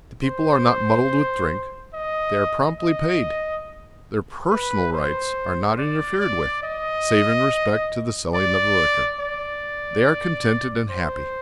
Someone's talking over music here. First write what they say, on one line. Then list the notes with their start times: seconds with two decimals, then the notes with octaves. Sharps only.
The people are not muddled with drink; they are promptly paid; their 'personal' rights are not interfered with, save in respect to the selling of liquor; they are contented and happy.
0.24 C5
1.94 D#5
2.79 D#5
4.50 B4
4.93 C5
5.78 D5
6.21 D5
6.63 D#5
8.34 D5
9.20 D5
10.90 C5